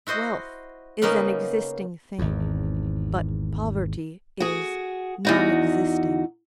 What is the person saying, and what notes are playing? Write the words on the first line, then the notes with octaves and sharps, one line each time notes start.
Wealth is an existing thing, but poverty is nonexisting.
E4 F#4 C5 D#5
C#3 A#3 B3 C#4 D#4
G#1 E2
F#4 G#4
E2 D#4 F#4